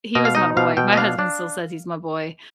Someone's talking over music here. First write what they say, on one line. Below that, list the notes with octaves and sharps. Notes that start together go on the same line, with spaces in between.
eh, he was my boy, my husband still says "He's my boy,"
B2 D#5
F5
D#4 D#5
B2 F5
B2 G5
D#5
D4 F5
D4